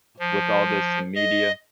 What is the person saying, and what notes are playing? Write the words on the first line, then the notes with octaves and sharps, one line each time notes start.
with all this media.
F3
D#5